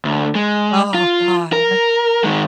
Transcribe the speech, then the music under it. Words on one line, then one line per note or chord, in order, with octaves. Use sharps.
Oh, God.
D2
G#3
F4
A#4
D#3 G#3